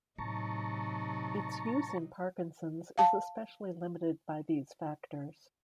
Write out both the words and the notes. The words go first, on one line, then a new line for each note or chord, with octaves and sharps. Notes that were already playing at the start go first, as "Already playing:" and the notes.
Its use in Parkinson's is especially limited by these factors.
A2 C3 F#3 D#4 A5 A#5 C#6
F5 A5